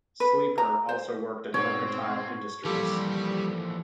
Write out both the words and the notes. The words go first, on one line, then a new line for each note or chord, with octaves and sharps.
Sleeper also worked in mercantile industries.
B4
A#5
C5
G#2 B2 C4 C#5
E3 F3 G3 A#3 F4 G4 A4